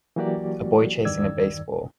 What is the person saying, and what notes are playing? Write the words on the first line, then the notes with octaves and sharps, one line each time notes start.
A boy chasing a baseball.
E3 F#3 A#3 F#4 G4 D5
E2 G2 D#3 D5 E6 G#6